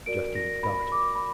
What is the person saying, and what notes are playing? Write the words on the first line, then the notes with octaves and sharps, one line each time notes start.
Justine started.
F#4 A#4 D5 D7
A#6
B5
D6
B5